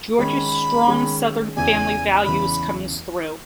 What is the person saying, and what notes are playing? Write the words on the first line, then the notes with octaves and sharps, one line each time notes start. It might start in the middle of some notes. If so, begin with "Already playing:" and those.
George's strong Southern family values come through.
D#3 G#3 C#4 B5
D#3 G#3 C#4
E2 C#3 E3 G#5
E2 C#3 E3 B5